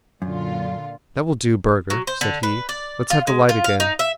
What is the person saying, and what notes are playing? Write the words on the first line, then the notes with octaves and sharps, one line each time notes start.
"That will do, Burger," said he, "let's have the light again."
F#2 A#2 D3 F4
F#3
C5
D3
B4
D5
F4
G#3
F4
F5
D#4
E5